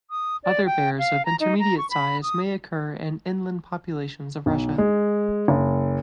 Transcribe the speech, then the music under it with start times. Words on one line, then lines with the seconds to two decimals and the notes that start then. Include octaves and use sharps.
Other bears of intermediate size may occur in inland populations of Russia.
0.10 D#6
0.44 D5
0.66 G5
0.98 F5
1.25 A#5
1.40 D#4
1.59 A#5
1.78 C#6
1.90 B5
2.23 D#6
4.46 B1
4.78 G#3
5.48 F#1